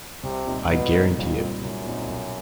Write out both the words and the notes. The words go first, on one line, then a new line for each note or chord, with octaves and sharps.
I guarantee it.
C2 C3
A#2 G3 C4 D#4
C2 B2
A#2 G3 C4 D#4
C2 F2
A#2 G3 C4 D#4
C2 F#2
A#2 G3 C4 D#4
B1